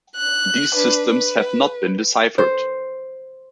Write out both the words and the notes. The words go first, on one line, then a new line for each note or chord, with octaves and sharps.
These systems have not been deciphered.
F#6
D4 B4
B4
C5